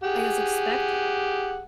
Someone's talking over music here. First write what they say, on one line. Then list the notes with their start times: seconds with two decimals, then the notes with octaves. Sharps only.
I guess, expect
0.03 G4 G#4 F#5